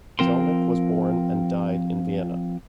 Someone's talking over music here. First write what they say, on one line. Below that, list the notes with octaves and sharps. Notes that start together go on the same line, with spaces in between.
Jelinek was born and died in Vienna.
F3 C4 A#4 C6